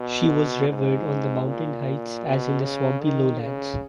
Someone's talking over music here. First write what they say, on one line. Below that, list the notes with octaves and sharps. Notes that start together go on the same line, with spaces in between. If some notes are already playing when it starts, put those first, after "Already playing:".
She was revered on the mountain heights as in the swampy lowlands.
Already playing: B2
G#2
A#2
B2
C#3
D#3
C#3